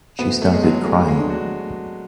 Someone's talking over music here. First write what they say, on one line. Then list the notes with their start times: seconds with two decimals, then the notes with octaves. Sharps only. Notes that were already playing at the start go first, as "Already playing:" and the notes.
She started crying.
0.19 D2 B3
0.42 A3
0.52 G#3 B3
0.64 F#3
0.86 G#3 A3
1.08 G#3
1.19 D4
1.30 F#4